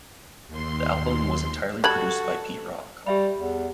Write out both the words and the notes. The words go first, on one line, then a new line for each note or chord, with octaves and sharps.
The album was entirely produced by Pete Rock.
D#2 C6
G3 F#4 A4 B5 F#6 G#6 F#7
G3 G4 E5 B5
E2